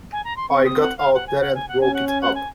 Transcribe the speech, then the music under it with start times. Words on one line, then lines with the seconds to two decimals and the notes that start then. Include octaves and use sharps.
I got out there and broke it up.
0.12 G#5
0.24 A#5
0.37 C6
0.49 C4 C#6
0.65 D#6
0.81 F#5
0.98 F5
1.14 F#5
1.27 G#5
1.41 F#5
1.55 G#5
1.68 F#5
1.80 C#4 G#5
1.94 F#5
2.07 G#5
2.21 F#5
2.35 G#5